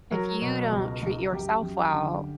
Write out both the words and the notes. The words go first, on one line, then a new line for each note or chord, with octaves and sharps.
if you don't treat yourself well,
F#3 A#4
B2
C#2
C#2
F#2 G4
F#2
D3